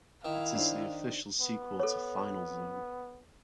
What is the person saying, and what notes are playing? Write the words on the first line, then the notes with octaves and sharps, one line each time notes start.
It is the official sequel to "Final Zone".
D#3 E4 F5
D4 D#4 C5
B3
A4 C#5